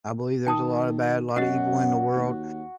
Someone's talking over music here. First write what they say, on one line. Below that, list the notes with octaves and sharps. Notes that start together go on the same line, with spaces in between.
I believe there's a lotta bad, a lotta evil in the world
D#3 G5 A5 D#6
F#2 F#4 D#5 F#5
D#2